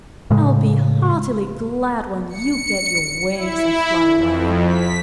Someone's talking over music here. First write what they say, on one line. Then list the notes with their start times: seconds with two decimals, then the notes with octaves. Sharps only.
I'll be heartily glad when you get your wings and fly away.
0.31 A2 C#3 G#3
2.29 C#7
3.35 E4
4.14 F2
4.67 B6